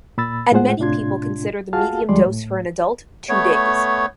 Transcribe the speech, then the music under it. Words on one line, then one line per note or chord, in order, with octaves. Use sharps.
And many people consider the medium dose for an adult two days.
A#2 B5 E6 A6
A2 G#3 F4 G#4 C5 F#5
A2 C3 D4 F4 C6 G#6
F4 F#4 G#4 F5 A5 F6
D2 F3 G3 G#3 D5 C6
A2
A3 B3 C#5